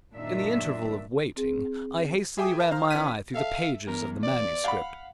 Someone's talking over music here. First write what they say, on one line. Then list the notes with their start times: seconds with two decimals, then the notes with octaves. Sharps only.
In the interval of waiting, I hastily ran my eye through the pages of the manuscript.
0.13 F#2 A#2 D#3 D4 E5
1.36 C4 G#4
2.38 G#4 E5 G5 G#5 D6 D#6
2.60 A#4 E5 A5
2.71 C5 F5 A#5 F6
2.91 E3 C#4 D5 F6 B6 D#7
3.35 A4 E5 F5
3.87 E2 A#4
4.24 D5
4.64 F5 F#5 B5